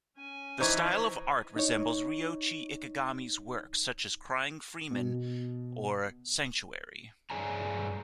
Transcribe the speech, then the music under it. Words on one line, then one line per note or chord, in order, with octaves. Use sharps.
The style of art resembles Ryoichi Ikegami's works such as "Crying Freeman" or "Sanctuary".
C#4 G#5
E3 D#4 C5 A#5 C#6 G#6
D#4 C#5
B2
G2 G#4 C#5 D5 G#5 A#5